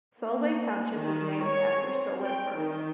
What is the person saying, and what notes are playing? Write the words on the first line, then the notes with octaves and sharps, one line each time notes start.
Solway Township was named after Solway Firth.
A#3
D#3
C#5
C4
G5
D#3